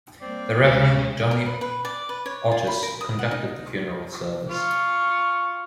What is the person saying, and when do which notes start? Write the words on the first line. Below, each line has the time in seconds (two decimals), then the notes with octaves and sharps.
The Reverend Johnny Otis conducted the funeral service.
0.22 G3 A#3 C4 D5
0.64 D2 G#3 C#4 F5
1.31 A#4
1.46 B4
1.61 B4
1.85 D5
2.09 B4
2.26 C#5
2.52 F4
2.67 B5
2.83 A#4
3.01 D#6
3.19 F#5
3.31 D#4
4.49 F4 C#6